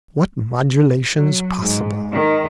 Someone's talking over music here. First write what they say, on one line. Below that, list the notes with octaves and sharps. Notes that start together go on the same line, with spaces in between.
What modulations possible!
F#3
G#2
D#3